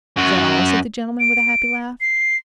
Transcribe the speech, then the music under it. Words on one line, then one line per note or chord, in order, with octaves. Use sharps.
"Is that all?" said the gentleman with a happy laugh.
F#2 F#4
D7
C7